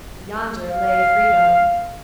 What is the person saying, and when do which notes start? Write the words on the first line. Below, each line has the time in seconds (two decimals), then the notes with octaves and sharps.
Yonder lay freedom!
0.69 F5